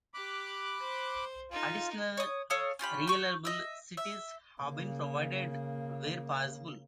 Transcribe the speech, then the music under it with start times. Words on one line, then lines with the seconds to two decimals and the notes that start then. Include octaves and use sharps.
Additional reliable cites have been provided where possible.
0.14 G4 B5 D6 F#6
0.79 C5
1.51 D#4 F4 A4
2.17 C#5 D#6
2.50 A4 C#5 F5 D#6
2.79 C#4 F4 G4 B5
3.07 C#6 G6
3.45 D#5 E5
3.97 E5
4.61 C#3 A#3